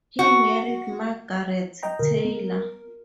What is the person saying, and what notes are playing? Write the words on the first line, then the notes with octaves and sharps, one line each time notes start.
He married Margaret Taylor.
F#4
D#5 G5 A#5
B2 D3 A#4
B3